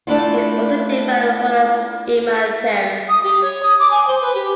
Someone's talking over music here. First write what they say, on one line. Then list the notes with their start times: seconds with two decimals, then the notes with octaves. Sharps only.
He also developed Holland's schema theorem.
0.07 A3 D4 E4 F4
3.09 D#6
3.24 G4
3.42 C#5
3.63 D#6
3.79 D6
3.91 G#5
4.07 C5
4.21 B4
4.35 G4